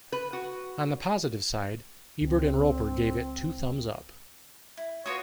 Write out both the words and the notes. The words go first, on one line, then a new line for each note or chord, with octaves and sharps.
On the positive side, Ebert and Roeper gave it "Two Thumbs Up".
B4
F#4
C#2 C4
E4
B3 F4 F#4 A#4 C#5 D#6